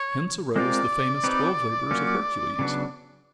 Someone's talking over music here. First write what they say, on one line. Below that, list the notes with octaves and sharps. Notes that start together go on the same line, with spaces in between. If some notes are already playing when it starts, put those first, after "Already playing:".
Hence arose the famous twelve labors of Hercules.
Already playing: C#5
G#3 C4 F4 A#4 D5
C4 D#4 G4 B4
F#3 A#3 C#4 F4
C#3 F#3 B3 D4